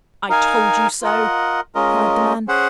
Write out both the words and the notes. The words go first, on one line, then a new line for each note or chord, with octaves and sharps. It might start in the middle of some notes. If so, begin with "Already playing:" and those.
"I told you so," cried the man.
D#4 A#4 F5 G#5
F4 A#4 D#5 F#5
G#3 C#4 F4 A#4 D#5
C#4 G#4 C5 F#5